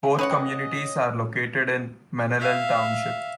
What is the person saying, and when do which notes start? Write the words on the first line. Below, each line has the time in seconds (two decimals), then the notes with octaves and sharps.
Both communities are located in Menallen Township.
0.19 C#4 B4 C#5 D#5 F#5
2.39 E5 F5